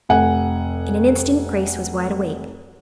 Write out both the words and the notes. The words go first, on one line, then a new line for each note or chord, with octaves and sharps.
In an instant Grace was wide awake.
F1 F#5 G#5